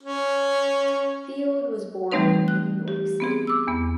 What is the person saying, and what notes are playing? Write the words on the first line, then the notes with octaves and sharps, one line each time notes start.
Field was born in New York City.
C#4
E3 G3 A3 C4 D#4 B4
F#6
G4
B3 C4 G#4
D6 E6
E2 B3